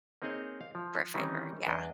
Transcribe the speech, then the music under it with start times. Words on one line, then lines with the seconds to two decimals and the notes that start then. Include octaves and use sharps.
For a favor, yeah.
0.22 A#3 C4 D#4 G#4 C#5 D#5
0.61 F5
0.75 F3
1.14 D#3 E3 G3 C4 C#4 D#4
1.67 E2 D4 D#5